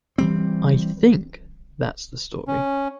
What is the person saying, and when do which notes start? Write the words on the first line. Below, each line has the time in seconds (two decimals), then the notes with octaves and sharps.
I "think" that's the story.
0.18 E3 G3 C4
2.47 C#4